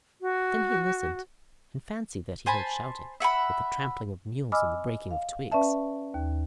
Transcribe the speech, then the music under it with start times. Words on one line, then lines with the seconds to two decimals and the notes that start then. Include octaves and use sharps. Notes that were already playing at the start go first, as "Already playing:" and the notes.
Then he listened, and fancied that he heard shouting, with the trampling of mules and the breaking of twigs.
0.21 F#4
2.46 C5 G#5 A5 B5
3.20 E5 F#5 G#5 B5
4.52 D#5 G#5 B5 D6 E6 F6
5.11 F5
5.52 C#4 B4 D5 E5 A5
6.14 D#2